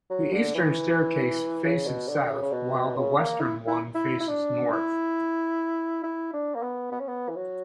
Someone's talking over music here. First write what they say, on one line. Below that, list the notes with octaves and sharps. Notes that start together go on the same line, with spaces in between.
The eastern staircase faces south while the western one faces north.
F#3
D3
E3
C#3
B2
D3
C#3
C#3
B2
B2
C#3
A#3
E4
E4
E4
E4
D4
E4
E4
D4
A#3
B3
B3
C#4
B3
E3
F#3